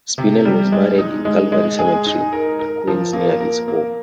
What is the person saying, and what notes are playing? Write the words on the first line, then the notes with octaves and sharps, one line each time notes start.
Spinell was buried in Calvary Cemetery, Queens near his home.
C3
G3
G#3
D#4
G#3
G#3
G#4
D#4
A#4
A#4
F3
A#3
A#4
A#3